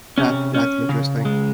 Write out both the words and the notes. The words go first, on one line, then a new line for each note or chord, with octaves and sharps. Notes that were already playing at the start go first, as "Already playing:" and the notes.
That that's interesting.
C3 C#4
C#4
C#3
G#3